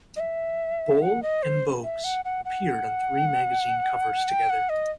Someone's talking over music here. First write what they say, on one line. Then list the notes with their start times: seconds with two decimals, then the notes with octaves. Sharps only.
Bol and Bogues appeared on three magazine covers together.
0.16 D#5
0.20 E5
1.02 F#5
1.23 D#5
1.43 C5
1.84 E5
2.04 F#5
2.25 F#5
2.45 F#5
4.29 G5
4.50 F#5
4.69 D#5